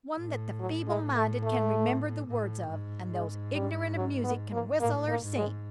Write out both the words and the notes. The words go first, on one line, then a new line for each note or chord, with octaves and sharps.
One that the feeble-minded can remember the words of and those ignorant of music can whistle or sing.
A2
F#3
G#3
A3
A3
A2
G#2
G#3
G3
F#3
B3
A#3
A2 A#3
A#3
G#2
G#3